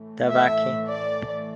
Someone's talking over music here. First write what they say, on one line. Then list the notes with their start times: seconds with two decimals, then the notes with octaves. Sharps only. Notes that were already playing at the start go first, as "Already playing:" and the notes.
De Vecchi.
Already playing: A2 E3 A3
0.27 E5
0.88 D5